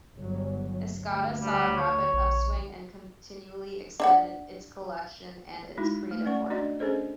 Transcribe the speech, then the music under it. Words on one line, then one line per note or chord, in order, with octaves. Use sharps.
Escada saw a rapid upswing and continually extended its collections and its creative work.
G1 F#3
D2
G3
C#5
A#1
D4 E5 F#5
G#3 D#4 E4 F#4
A3
C#4 D5 F#5 C#6
D4 F#4 D5 D#5 C6
C#4 D4 G#4 A4 C5 D#5